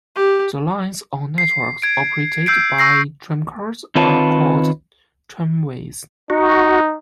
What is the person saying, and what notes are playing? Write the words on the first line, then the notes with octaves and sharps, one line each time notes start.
The lines or networks operated by tramcars are called tramways.
G4
C7
G#6 D7
E6 G6 C7 D7
C#6 E6 A#6 C7
D#3 C4 F4 B4 C#5 A5
D#4 F#4